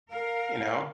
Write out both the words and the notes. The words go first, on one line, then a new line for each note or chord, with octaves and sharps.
you know?
A#4 F5